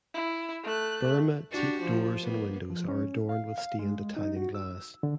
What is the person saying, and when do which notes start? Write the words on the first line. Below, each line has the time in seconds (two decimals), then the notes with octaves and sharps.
Burma teak doors and windows are adorned with stained Italian glass.
0.14 E4
0.64 A3 F#6
1.51 D4 F#4 G4
1.82 F3
2.21 A#3 B3
2.70 F3
2.88 C#4
3.29 F5
3.58 F5
3.79 G#3
4.17 D#4
4.36 F#4
4.55 E6
5.03 D3